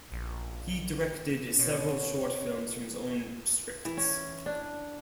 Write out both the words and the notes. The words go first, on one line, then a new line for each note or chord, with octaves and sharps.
He directed several short films from his own scripts.
A#1
B2 C#5
E3
C#4
D4